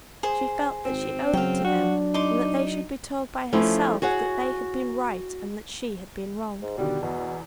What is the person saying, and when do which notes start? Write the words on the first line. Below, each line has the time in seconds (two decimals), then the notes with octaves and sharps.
She felt that she owed it to them that they should be told by herself that they had been right and that she had been wrong.
0.23 G#4 C5
0.85 G#1 C4
1.33 C#3 F#3 F5 G5
1.65 D4 F#4
2.14 D#4 C6 D6
3.53 F3 A3 C#4 D4 E4 F4
4.02 F#4 G#4 C#5 F#5
6.62 G#2
6.78 B2 D3 D#3 G3
7.02 E2 B2